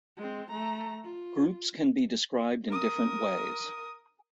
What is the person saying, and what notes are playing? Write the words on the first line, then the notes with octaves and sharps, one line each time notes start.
Groups can be described in different ways.
G#3 C4
A3 A#5
F4
A#4 D#6